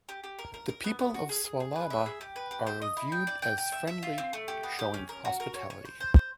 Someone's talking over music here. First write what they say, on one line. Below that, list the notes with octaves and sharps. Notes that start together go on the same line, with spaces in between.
The people of Swalaba are viewed as friendly, showing hospitality.
G4
G4
A#4
A#4
A#4
B3
B3
F#4
G#4
G#4
G#4
B4
E5
G#4
G4
B4
G4
C5
D#5
E4
G5
D5
G5
G5
E5
E5
F4
C4
A3
G4
B3
G4
C#4
A#4
F#4
A#4
C#5
C#5
C5
C5
C5